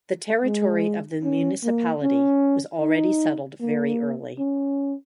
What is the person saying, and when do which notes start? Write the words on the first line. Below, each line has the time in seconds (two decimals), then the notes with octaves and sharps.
The territory of the municipality was already settled very early.
0.45 G#3
1.24 C#4
1.64 A#3
2.03 C#4
2.81 D#4
3.61 A#3
4.39 C#4